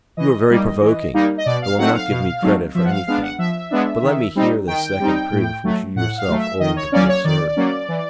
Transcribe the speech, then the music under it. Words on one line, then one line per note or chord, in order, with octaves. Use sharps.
"You are very provoking, and will not give me credit for anything; but let me hear this second proof, which you yourself own to be absurd."
E3 D#5
G3 A#3 D#4
E3
G3 A#3 D#4
D#5
B2 D5
F5
F#3 A3 C4 D#4 F#5
F5
B2
F#3 A3 C4 D#4
F3 E5
F#5
F5
G#3 B3 D4 F5
F#5
F3 E5
G#3 B3 D4
D#3
G3 C4 D#4
D#3 G5
G3 C4 D#4
A2
F#3 A3
A2 F#5
F5
F#3 A3
E5
D#3 D#5
C#5
F#3 A#3 C#4 D5
C#5
D#3 D5
F#3 A#3 C#4
E3